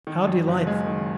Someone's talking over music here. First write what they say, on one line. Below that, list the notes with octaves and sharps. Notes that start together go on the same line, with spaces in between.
How delightful!
D#3
F#2
F#1
G#3
D#3